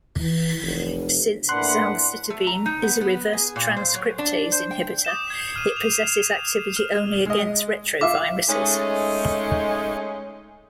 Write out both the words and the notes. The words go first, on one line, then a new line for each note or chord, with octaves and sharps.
Since zalcitabine is a reverse transcriptase inhibitor it possesses activity only against retroviruses.
E3
F1
A2 A#3 D4 B4 F#5 C6 F#6
A3
A#5
D#4
B3
B3
G#4
A#2
C5
F#3
D4
C5
G5
D6 D#6 G6 E7
G#6 C7
F6 D#7
F7
E7
F6
G#3 D#5
F4 E5 F5 D6
G#3 A3 C#4 D#4